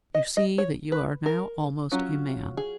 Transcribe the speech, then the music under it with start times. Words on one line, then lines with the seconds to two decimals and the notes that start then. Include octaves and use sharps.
You see that you are now almost a man.
0.15 D#5
0.37 D#5
0.58 C#5
0.92 B4
1.26 A#4
1.92 F#3 C#4 F4
2.57 G#4